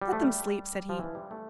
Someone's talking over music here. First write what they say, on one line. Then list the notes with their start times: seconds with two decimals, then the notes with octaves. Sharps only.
"Let them sleep," said he.
0.02 G3
0.13 A3
0.23 G3
0.89 F3
0.99 E3
1.15 G3
1.31 A3